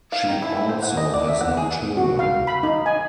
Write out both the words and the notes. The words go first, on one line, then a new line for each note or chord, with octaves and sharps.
She also has no children.
F5
D#3
E4
E4
C5
F#5
D#5
D5
E5
F#5
G#4
F#4
F5
B5
D#4
G#5